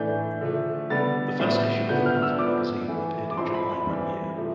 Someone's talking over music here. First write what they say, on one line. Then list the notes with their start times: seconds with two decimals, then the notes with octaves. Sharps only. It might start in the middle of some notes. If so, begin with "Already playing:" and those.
The first issue of the monthly magazine appeared in July that year.
Already playing: A2 E3 A3 D4 G6
0.41 D3 F3 A3
0.90 D3 G3 B3 A6
1.39 A2 G3 B3
1.89 D3 F3 B3 G6
2.06 F6
2.22 E6
2.38 F3 B3 D4 D6
2.88 E3 A3 E4
3.31 D6
3.37 F3 C4 E4 C6
3.54 B5
3.70 B5
3.87 E3 G3 C4 E4
4.36 C3 F3 A3